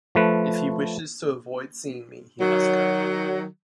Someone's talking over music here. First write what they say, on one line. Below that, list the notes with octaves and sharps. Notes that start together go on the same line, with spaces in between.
If he wishes to avoid seeing me, he must go.
F3 A3 B4
D#3 F#3